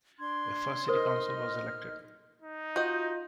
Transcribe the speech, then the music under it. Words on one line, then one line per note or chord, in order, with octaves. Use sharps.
A first City Council was elected.
D4 C6 G#6
D#4 A#4 C5 D#5 F6
D#4
F4 F#4 D#5 G6